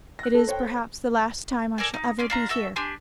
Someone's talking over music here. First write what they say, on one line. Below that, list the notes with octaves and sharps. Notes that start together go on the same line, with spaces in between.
It is perhaps the last time I shall ever be here.
F#6 A#6
A4
C5 C#5 G5
A4 A#4 D5 G#5
D#4
C#4 D5 C6
D4 F4 A#5
F#4 A4 E5 E6
D4 G4 G#5 C6